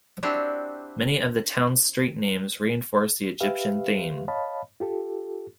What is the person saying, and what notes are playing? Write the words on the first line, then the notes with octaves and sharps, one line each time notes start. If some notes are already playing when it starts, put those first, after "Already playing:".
Many of the town's street names reinforce the "Egyptian" theme.
C4 D4 E4 F#4 G4
G4 B4 E5 F5
C#5 D#5 F5 A5 B5
F4 G4 A4